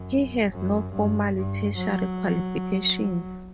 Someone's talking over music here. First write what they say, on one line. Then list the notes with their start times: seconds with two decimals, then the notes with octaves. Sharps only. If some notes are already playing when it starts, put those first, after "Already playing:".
He has no formal tertiary qualifications.
Already playing: F#2
0.51 F#2
0.93 G2
1.34 G2
1.76 F#3